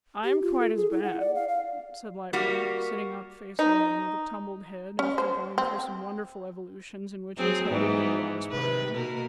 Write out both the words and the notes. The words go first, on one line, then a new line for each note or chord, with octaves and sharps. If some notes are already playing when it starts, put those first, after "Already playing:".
'I am quite as bad,' said Lightwood, sitting up facing him, with a tumbled head; after going through some wonderful evolutions, in which his head had been the lowest part of him.
G4
F4
A4
G#4
E4
F#5
D5
F5
F5
G3 A#3 F#4
D#4
C#4
C5
C4
F#3 C4 G#4
G#2 E3 B3
C3 D#3 B4
B2 A#3 A#4